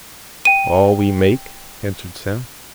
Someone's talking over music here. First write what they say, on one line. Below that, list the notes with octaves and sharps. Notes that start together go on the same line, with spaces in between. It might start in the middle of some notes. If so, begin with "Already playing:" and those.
"All we make," answered Sam.
G5 D#7